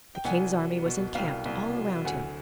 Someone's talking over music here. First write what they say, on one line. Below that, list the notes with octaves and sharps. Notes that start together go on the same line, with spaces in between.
The king's army was encamped all around him.
G5
C2 F#5 G#5
F#3
B2
C2 F5 G5
C2
F#3
D2 F#5 G#5